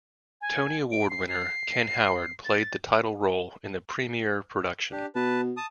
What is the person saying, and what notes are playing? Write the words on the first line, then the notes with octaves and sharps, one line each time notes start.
Tony Award winner Ken Howard played the title role in the premiere production.
G#5
D7
C7
C7
A6
D4 G4
B2 B4 A5
A5 D#6